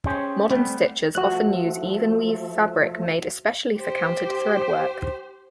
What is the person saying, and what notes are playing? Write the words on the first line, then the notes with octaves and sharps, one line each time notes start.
Modern stitchers often use even weave fabric made especially for counted thread work.
C#4 G4 G#4 C5
G3 A3 B3 C4
F3 A3 F#4 F#6
G4 C5